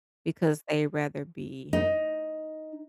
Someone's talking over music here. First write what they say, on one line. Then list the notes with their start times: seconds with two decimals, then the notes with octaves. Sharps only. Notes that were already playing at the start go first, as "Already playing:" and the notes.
because they rather be,
1.73 D#4